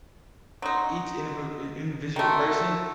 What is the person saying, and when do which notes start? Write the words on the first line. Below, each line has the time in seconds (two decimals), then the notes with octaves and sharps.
each indivd in individual person,
0.62 F#3 D#4 D#5 C6
2.16 D#3 A3 F#4 A#5 C6